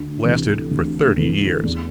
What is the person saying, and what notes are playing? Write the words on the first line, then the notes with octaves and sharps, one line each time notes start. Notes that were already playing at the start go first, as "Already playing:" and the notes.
It lasted for thirty years.
Already playing: D2
C3 E3 A3
D2
C3 E3 A3
E2